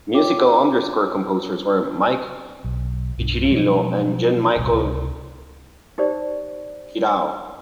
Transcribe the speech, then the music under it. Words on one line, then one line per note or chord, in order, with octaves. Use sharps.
Musical underscore composers were Mike Piccirillo and Jean-Michel Guirao.
F4 C#5 G5 D6
B1
B1 G2 B2 D4
B2 F3 F#3 G#3
D1 A1 B2 G3
C#2 C3
D#4 G4 C5 D5